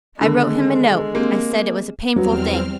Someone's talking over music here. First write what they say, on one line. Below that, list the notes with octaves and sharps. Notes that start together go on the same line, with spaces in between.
'I wrote him a note, I said it was a painful thing.
D3 D#3 G#3 B3 A#4
A#3 C4 G4
E2 F#3 G3 B3 C4 F6